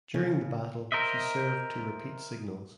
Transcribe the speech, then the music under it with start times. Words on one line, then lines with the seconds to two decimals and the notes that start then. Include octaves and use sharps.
During the battle she served to repeat signals.
0.14 C#3
0.92 A#4 C5 D#5 E5